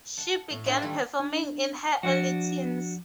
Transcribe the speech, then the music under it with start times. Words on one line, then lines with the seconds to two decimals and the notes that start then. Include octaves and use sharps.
She began performing in her early teens.
0.17 F#5 A5
0.50 A2
0.65 D4 E4 F4 G4 G#4 B4
0.82 D#3 G3 A3 E4
1.20 D4
2.03 F3 D4 F#4